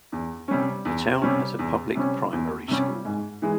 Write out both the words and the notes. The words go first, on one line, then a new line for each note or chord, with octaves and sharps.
The town has a public primary school.
E2
C3 G3 C#4
E2
C3 G3 C#4
E2
C3 G3 C#4
E2
C3 G3 C#4
G#2
E3 G#3